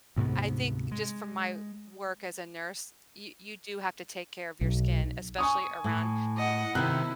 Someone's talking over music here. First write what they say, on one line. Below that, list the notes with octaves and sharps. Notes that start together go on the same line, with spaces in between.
I think just from my work as a nurse, y you do have to take care of your skin, especially around
D2 G#2 C3 B3
G#3
B1
G#5 C#6 D#6
A2
D#5 F#5
C3 D#3 E4 F#6